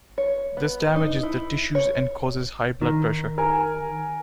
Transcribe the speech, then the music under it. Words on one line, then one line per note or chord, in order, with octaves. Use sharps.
This damages the tissues and causes high blood pressure.
C#5
B3
D#4
E4
C#5
D#3
A#4 G#5